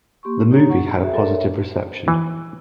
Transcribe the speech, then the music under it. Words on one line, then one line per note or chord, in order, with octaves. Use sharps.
The movie had a positive reception.
A#3 G4 C6 C#6
D#4 G4 C#5 A#5
F#5 C#6
F#4 G#4 E5
A4 A#4 D5 E5
C#5 E5
E3